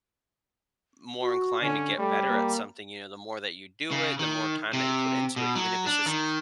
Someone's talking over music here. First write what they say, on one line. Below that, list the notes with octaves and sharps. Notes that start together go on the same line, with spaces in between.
more inclined to get better at something, you know, the more that you do it, the more time that you put into it, even if it's just,
F#4
D3 C#4
G3 A3
A#3
C#3
D#3
C3
B2
F#3
D4
D#3